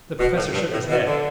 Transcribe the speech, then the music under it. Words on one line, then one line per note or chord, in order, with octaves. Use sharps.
The Professor shook his head.
B2
A2
G2
A2
B2
D3